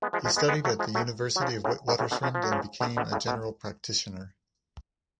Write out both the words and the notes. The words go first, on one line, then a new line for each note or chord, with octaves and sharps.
He studied at the University of the Witwatersrand and became a general practitioner.
G#3 B3
F3 G#3
F3 G#3
G#3 B3
G#3 B3
F#3 A3
F3 G#3
F#3 A3
F#3
C#3 F3
A2 C#3
G#2 B2
A2 C#3
B2 D3
C#3 F3
F3
F#3
C#3 F3
B2 D3
B2 D3
A2 C#3
B2